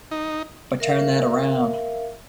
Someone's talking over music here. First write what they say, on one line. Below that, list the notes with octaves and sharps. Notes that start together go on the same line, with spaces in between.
But turn that around.
D#4
A#4 E5 F5